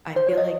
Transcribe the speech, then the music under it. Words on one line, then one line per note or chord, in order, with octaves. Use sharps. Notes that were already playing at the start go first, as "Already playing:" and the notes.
I feel like
C5
C#5
D#5